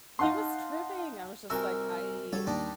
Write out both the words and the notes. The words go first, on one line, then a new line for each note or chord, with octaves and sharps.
he was tripping, I was just like, "I"
D#4 F5 F#5 A5 C6
C2 F#4 A#4 G#5 A#5 E6
G3 F#4 A4 C#5
D#2 G3 D4 D#4